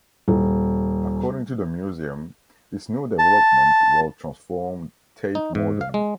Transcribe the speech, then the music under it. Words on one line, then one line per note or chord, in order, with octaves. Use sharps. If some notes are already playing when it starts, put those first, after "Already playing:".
According to the museum: This new development will transform Tate Modern.
D#1
A5
D#4
G#2
F5
G#3